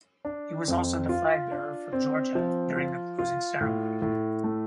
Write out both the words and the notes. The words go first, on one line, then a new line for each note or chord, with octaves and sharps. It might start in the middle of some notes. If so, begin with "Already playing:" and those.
He was also the flag bearer for Georgia during the closing ceremony.
D4
F2
F4
D4
C4
F3
F4
F4
A2
A2
A3